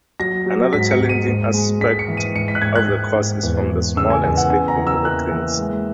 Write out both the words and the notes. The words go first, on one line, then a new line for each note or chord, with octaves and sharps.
Another challenging aspect of the course is from the small and slick Bermuda greens.
F#3 A#6
F#3
G#2 B6
C#7
G#2
D#7
G#2
G#3
G#2 B6
C#7
E3
D#7
G#2 C#7
B6
F#6
G#2 G#6
F#6
G#2
G#2
E2
E2
C#3 E6
G#5
E2 G#5
F#5
C#3 G#5
A#5
E3
E6
A#3 F#6
E3
G#3